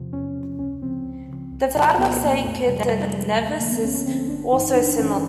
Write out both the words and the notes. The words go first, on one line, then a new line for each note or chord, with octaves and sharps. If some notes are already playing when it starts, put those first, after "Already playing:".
The Flag of Saint Kitts and Nevis is also similar.
Already playing: E2 C3 F3
E2 C#4
C3 F3
C#2 C#4
C#3 F3 C4
C#2
C#3 F3
C2
A#2 F3
C2 B3
A#2 F3 A#3
F2 A3
C3 F3 G3
F2 G3
C3 F3 G#3
D2 A3
A3
D3 F3 A#3
B3
D2 C#4
C#4
D3 F3 C4
G1 D4
G2 E3 D#4
G1 D4
G2 E3 C#4